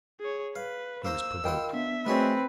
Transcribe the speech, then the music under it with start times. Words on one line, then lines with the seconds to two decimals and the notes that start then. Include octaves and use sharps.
He was provoked.
0.20 G#4 C#5
0.56 B4 F5
1.05 A#3 C5 A#5 E6
1.44 D#3 F4 A#4 F#5 G5 B5
1.73 B3 D4 E5
2.06 G#3 A3 C4 F#4 B4 C#5 G#5